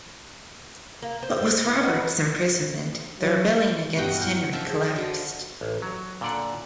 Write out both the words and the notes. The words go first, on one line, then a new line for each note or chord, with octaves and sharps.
But with Robert's imprisonment the rebellion against Henry collapsed.
A#3
C5
E4
D#4 F#4 B4
F#3
G2 B2 F#4 D#5 G5
E4 F6 G6
F3 E5 F5
G#4
D3 F3 F#4 D#5
A1
F#3
A#2 D3 D5 F#5